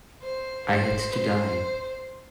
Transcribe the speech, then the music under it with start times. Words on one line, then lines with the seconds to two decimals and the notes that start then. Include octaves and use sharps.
I had to die.
0.23 C5
0.68 C5
1.13 C5